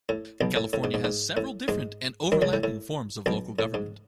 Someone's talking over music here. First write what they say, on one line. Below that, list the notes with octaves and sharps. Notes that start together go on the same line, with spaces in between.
California has several different and overlapping forms of local government.
A2
B1 B2
A2
A2
G#2
G#2
G#2
A2
G#2 G#3
D#2 D#3
C#2 C#3
A2
A2
B1 B2
A2
G#2